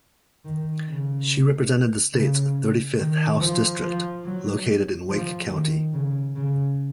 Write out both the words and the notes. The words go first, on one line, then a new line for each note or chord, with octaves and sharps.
She represented the state's thirty-fifth House district, located in Wake County.
D#3
C#3
C#3
D#3
F3
F3
F#3
F3
D#3
C#3
C#3